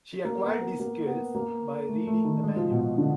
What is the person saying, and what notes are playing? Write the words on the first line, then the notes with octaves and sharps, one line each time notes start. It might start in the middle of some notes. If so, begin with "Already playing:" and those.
She acquired these skills by reading the manual.
A#3
B3
B3
A#3
B3
A#3
A3
A3
D#3
G#3
F3
B2
D3